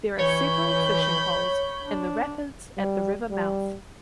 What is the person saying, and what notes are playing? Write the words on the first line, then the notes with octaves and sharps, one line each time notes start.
There are several fishing holes in the rapids at the river mouth.
E3 C#5 B5 G6
D4
G3
G3